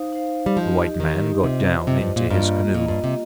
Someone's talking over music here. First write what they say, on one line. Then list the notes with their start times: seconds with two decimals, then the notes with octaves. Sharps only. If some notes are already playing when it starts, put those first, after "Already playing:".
The white man got down into his canoe.
Already playing: D#4 C5 F5
0.13 D#4 C5 F5
0.46 G3
0.57 F3 D#4 G4 D#5
1.00 D#3 D#4 G4 D#5
1.43 C3 F4 C5 D#5
1.86 C3 F4 C5 D#5
2.01 G2
2.16 A#2
2.30 G2 A#3 F4 D#5
2.74 A#2 A#3 F4 D#5
2.88 G2
3.04 C3